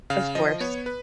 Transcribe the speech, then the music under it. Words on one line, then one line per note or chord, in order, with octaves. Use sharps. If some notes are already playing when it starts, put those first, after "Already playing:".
Of course.
C#3 F5
F3 D#5
B3 C#5
B4